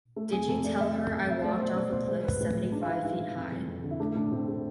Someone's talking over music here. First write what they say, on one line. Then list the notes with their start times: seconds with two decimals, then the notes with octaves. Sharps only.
Did you tell her I walked off a cliff seventy-five feet high?
0.16 A3
0.32 F2 G#4
0.48 F2 A4
0.64 A3 D5
0.80 F2 E5
0.96 C3
1.12 C3
1.28 F2 E5
1.44 A3 D5
1.60 B2 C5
1.76 B2 D5
1.92 B2 C5
2.08 G#3 C5
2.24 G#3 B4
2.40 A2
2.56 G#3
2.72 G#2 D4
2.81 F4
2.88 E3 E4
3.04 G#2 E4
3.20 E3
3.36 F2
3.52 F2
3.68 F2
3.84 D3
3.91 E4
4.00 A3 D4
4.15 A2 D4
4.32 A2 C4
4.48 A3